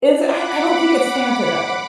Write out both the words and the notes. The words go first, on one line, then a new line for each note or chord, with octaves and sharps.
Is I I don't think it's Fanta though.
F#5 B5 D6